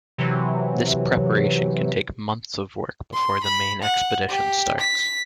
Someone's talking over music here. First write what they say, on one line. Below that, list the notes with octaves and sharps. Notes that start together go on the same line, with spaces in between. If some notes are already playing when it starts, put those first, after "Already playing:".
This preparation can take months of work before the main expedition starts.
C3 E3 F#3
C6
B5
F#5
G4
B6